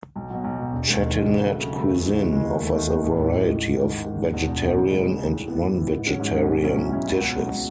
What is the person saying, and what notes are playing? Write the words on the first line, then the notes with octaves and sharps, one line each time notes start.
Chettinad cuisine offers a variety of vegetarian and non-vegetarian dishes.
B1
B2 F#3
B1
B2 F#3
E1
D#2 D#3 G#3
E1
D#2 D#3 G#3
C#3
F#3 A3
C#3
F#3 A3
D#2
C#3 E3 G#3
D#2
C#3 E3 G#3
D#2
D#3 A3 D#4
D#2
D#3 A3 D#4
A1
A2 G#3
A1
A2 G#3
G#2
D#3 G#3
G#2
D#3 G#3
E1
E2 B2
E1
E2 B2
C#3
G#3 D#4
C#3
G#3 D#4
A2
E3 B3
A2
E3 B3
G#2
D#3 F#3 C#4 G#4
G#2
D#3 F#3 C#4 G#4
B1
B2 F#3 C#4 E4
B1
B2 F#3 C#4 E4
C#2
B2 F#3
C#2
B2 F#3